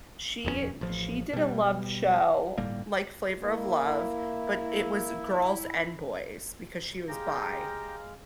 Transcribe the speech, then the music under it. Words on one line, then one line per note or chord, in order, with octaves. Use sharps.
she d she did a love show, like, Flavor of Love, but it was girls and boys, because she was bi.
D#1 F2 G#3 C#4
A1 F3
B2 G3
G1 A2 G3 A#3
A#3 E4
G#3 G4 G#4 F5 G5 A#5